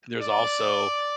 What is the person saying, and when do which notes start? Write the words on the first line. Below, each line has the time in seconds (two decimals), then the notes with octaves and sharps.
there's also
0.21 D5